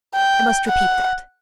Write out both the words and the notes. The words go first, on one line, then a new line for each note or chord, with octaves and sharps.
"I must repeat that."
G5
F#5